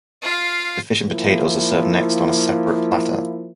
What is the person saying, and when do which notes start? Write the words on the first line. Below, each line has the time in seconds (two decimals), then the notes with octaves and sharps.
The fish and potatoes are served next on a separate platter.
0.23 F4 F5
1.08 F3 A#3 E4